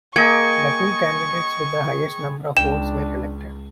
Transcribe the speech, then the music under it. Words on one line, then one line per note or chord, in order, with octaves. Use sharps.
The two candidates with the highest number of votes were elected.
A#3 G#4 D#5 G5 C#6 G#6 C#7
C#2 D4 G5 E7